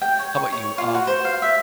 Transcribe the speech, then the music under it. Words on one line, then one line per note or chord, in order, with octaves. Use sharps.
how 'bout you, um,
G5
C#5
C#6
C#5
F4
F#4
C5
F5
E5